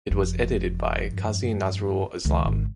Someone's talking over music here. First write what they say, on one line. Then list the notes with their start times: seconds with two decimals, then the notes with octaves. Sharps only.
It was edited by Kazi Nazrul Islam.
0.11 F#1 F2
1.13 G2
2.25 C#2 D#3
2.45 G#1 C#3